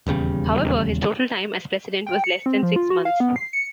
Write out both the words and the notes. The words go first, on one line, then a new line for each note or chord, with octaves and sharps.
However his total time as president was less than six months.
D#1 E2 C#3 G3
G5
C#7
C4
F3
F4
F#4
F5
B3
C7
C#7